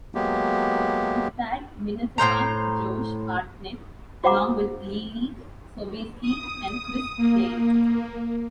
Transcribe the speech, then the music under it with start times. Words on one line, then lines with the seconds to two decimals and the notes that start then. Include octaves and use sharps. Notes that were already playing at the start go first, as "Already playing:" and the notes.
It starred Minnesotan Josh Hartnett along with Leelee Sobieski and Chris Klein.
0.15 F#3 G#3 A#3 B3 G4
2.18 A2 F3 C5 A#5
4.24 F#4 C5 F5 F#5 A#5 D6
6.22 D#6
7.17 A#3